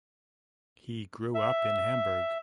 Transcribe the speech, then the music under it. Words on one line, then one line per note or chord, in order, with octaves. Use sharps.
He grew up in Hamburg.
E5